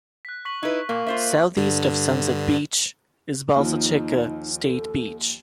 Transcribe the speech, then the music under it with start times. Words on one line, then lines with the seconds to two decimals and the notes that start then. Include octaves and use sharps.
Southeast of Sunset Beach is Bolsa Chica State Beach.
0.25 F#6 B6
0.45 C#6 B6 F#7
0.63 D#4 E4 B4
0.89 A#2 A#3
1.07 F4 C5 E5
1.57 G2 D3
3.56 D#2 F3 D#4
4.62 A4